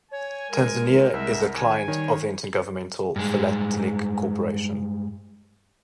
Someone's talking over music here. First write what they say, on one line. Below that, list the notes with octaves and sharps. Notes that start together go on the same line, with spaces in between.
Tanzania is a client of the Inter-Governmental Philatelic Corporation.
C#5 G#5
G#3 A#4
C2 G#3 E5
D#3 G#5
D#3 G3 C#5
G2 G#3